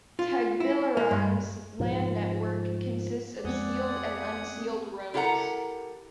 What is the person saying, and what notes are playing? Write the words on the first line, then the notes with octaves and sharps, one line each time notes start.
Tagbilaran's land network consists of sealed and unsealed roads.
F4
E4
A#3
G2
G#2 F3
F2 G#3 B3 C4 D5 F#5 G#5 D#6
E4 G4 A4 A#4 F#5 A#5